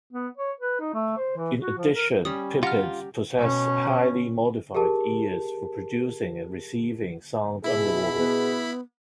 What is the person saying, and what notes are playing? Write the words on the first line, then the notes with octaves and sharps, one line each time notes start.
In addition, pipids possess highly modified ears for producing and receiving sound underwater.
B3
C#5
B4
D#4
A3
C5
E3
F#4
F3
A#4
G3 C#4 D#6
F4 G4 F#5 A5 A#5 F6
B2 C#4
G4 G#4 A#4 A5
B2 E4 G#4 E5 B5
B3